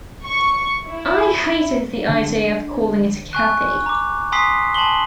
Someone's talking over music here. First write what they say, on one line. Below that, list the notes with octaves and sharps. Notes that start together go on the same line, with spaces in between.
I hated the idea of calling it 'Cathy.
C#6
E4
D3
G#5 C#6 F#6
A#5 D6
G#5 A#5 C6 D#6 B6 C7
G#5 A5 C6 F#7 G7